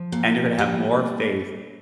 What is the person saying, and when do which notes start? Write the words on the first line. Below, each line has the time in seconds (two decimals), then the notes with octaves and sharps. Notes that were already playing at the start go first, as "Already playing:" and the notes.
and you're gonna have more faith
Already playing: F3
0.12 A#2
0.58 G3